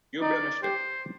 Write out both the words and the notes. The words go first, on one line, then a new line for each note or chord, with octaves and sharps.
You blemished it.
D#4 D5
G4 C5